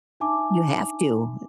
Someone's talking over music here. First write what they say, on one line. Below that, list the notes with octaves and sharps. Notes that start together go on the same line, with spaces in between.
You have to.
D4 D#4 E5 G#5 A5 D6